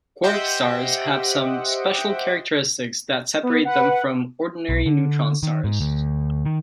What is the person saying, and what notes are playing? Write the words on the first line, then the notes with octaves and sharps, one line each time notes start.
Quark stars have some special characteristics that separate them from ordinary neutron stars.
G4 C5 D#5 E5 F#5 G5
B3
B4 F#5
B1
D3
D#3
G#2
D2
D#3